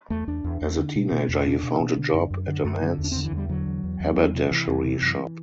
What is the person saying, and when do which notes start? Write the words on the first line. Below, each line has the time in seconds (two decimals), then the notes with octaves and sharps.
As a teenager he found a job at a men's haberdashery shop.
0.10 E2 A3
0.27 E2 D4
0.44 E2
0.61 E2
0.78 D3
0.96 B2
1.12 B2
1.29 E2
1.46 B2 D4
1.63 B2
1.80 B2
1.97 D3
2.14 F#2
2.31 F#2
2.48 D3
2.65 F#2
2.82 D3
2.98 E2
3.04 D4
3.12 D3 C4
3.24 E3
3.32 E2 G3
3.49 D3 F#3
3.66 E2
3.84 E2
4.00 E2
4.17 E2
4.34 C3
4.51 C3 E3
4.68 E2
4.85 C3
5.02 F#2